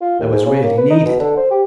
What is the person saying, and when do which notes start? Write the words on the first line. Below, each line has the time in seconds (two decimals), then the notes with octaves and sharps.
I was really needed.
0.01 F4
0.20 D#2
0.32 G#2
0.46 C#3
0.63 A#3
0.77 B4
0.90 D#4
1.05 B2
1.19 D3
1.37 C5
1.51 G4